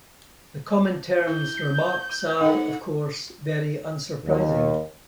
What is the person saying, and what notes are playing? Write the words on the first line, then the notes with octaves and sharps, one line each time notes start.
The Comintern's remarks are, of course, very unsurprising.
E4 G6
D#4 A4 F#5
D#2